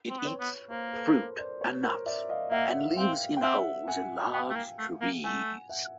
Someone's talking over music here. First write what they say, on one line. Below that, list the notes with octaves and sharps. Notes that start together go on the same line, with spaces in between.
It eats fruit and nuts and lives in holes in large trees.
C4
B3
C4 B4 C#5
B3
A#3 A#4 C5
A4 B4
A#4 C5
C5 D5
B4 C#5
A#4 C5
D5 E5
D#5 F5
A#3 E5 F#5
C4 F5 G5
G5
C4 E5 F#5
F#5 G#5
B3 F5 G5
A3
A#3
A3
A#3
A3 F#5 G#5
E5 F#5